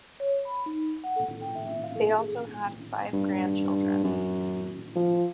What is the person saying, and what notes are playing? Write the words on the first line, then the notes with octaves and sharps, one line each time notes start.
They also had five grandchildren.
C#5
B5
D#4
F#5
A4
G5
E5
F5
A4
G#4
G2
F#2
F3